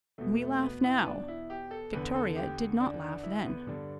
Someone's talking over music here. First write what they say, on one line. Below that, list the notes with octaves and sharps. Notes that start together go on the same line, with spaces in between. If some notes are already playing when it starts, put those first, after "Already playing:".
We laugh now! Victoria did not laugh then.
E2 B2 A3
A3
B3
E4
B3
D4
E4
G4
A4
E2 D3 B4
A4
G4
D4
D4
E4
B3
G2 D3 D4